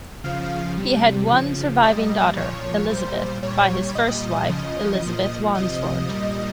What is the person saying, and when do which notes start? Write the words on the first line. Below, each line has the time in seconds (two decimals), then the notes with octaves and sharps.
He had one surviving daughter, Elizabeth, by his first wife, Elizabeth Wandesford.
0.24 C#3 F3 F5
0.77 C3 G3
1.30 C#3 F3
1.83 A#2 G3 D#5
2.36 A#2 F3 C#5
2.89 A#2 G3 C5
3.42 A#2 G3 C#5
3.95 A#2 G3 D#5
4.49 C#3 F3
5.02 A#2 F3
5.55 C3 F3 D#5
6.08 A#2 G3